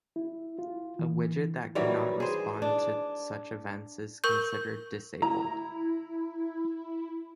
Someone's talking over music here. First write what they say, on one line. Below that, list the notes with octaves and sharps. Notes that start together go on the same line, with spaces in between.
A widget that cannot respond to such events is considered disabled.
E4
F4
E3
D#3 E3 F#3 G3
G#4 C5
D4
A#4 C#6 G6
E4 A#5